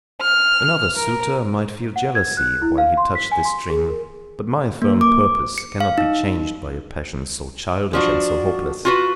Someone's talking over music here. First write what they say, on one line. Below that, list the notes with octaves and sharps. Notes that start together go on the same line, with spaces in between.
Another suitor might feel jealousy while he touched this string; but my firm purpose cannot be changed by a passion so childish and so hopeless.
F6
A#4
F#5
G#6
F#6
E4
F5
C6
B6
G#5
C6
G#4
A#4
A#3
D6
C#7
F5
D#4
F3 D4 F#4
F4 F#4 B4